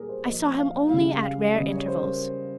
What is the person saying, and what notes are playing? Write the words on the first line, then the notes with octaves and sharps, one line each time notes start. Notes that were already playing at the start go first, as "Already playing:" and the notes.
I saw him only at rare intervals.
Already playing: A#2 G3 G4 G#4 A#4
C5
A#2 F3 D#5
F5
C#3 G3 F5
F5
C#3 G3 D#5
C#5
C5
A#4